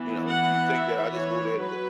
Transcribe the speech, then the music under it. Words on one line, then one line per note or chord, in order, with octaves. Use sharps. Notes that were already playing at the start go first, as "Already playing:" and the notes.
you know? You think that I just go there and go
Already playing: E3 B3
F#5
E5
C#5
F#3 B4